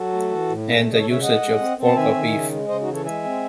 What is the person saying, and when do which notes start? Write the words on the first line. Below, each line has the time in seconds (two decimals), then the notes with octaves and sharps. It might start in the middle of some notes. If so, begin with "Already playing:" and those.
And the usage of pork or beef.
Already playing: F#3 F#4 A4
0.13 A3
0.31 E3
0.49 A2
0.67 A3
0.86 C#3
0.93 D#5
0.97 A4 C#5
1.04 C#3
1.10 C#5 E5
1.22 G#3 D#5 F#5
1.41 G#3
1.59 C4
1.77 C4
1.84 A5
1.95 D#3 E5 G#5
2.14 D#3
2.32 C#3
2.50 G#3
2.68 C#3 C5 D#5
2.81 D#4 F#4
2.87 E3
2.93 A4 C#5
3.05 G#3 E5 G#5
3.24 C4